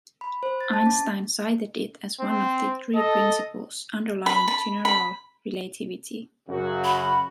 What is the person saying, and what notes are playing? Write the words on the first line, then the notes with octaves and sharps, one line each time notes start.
Einstein cited it as one of the three principles underlying general relativity.
B5
C5
A6
A5
C#4
C4
A4 D#5
B5
B5
B5
F#2 C#3 F#4
B5